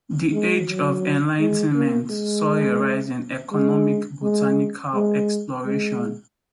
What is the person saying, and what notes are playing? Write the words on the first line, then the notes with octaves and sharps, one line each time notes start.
The age of enlightenment saw a rise in economic botanical exploration.
G#3
F#3
G#3
A#3
G#3
G#3
G#3
G#3
G#3